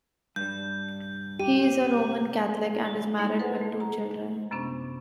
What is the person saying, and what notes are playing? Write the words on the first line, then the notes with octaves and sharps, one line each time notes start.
He is a Roman Catholic and is married with two children.
G2 G3 G6
G4 D#7
A#3 D#4 E4 G#4
A4 B4 C5 F#5
A3
A#5
F#2 C3 B3 C#4 D4